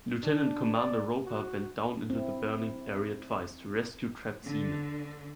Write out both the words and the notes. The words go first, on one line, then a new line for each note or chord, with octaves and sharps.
Lieutenant Commander Roper went down into the burning area twice to rescue trapped seamen.
D4
D5
F#4
C4 E4
D3